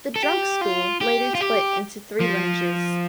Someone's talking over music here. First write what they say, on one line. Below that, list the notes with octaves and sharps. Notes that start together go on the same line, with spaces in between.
The Druk school later split into three lineages.
A4
G4
F4
G4
F4
G4
F3